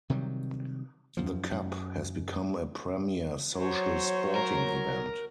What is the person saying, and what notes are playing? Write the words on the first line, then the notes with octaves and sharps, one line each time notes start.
The "Cup" has become a premier social sporting event.
C3 D#3 F#3 G3
F#2 F3
F#2
F#3 C5 C#5
A#4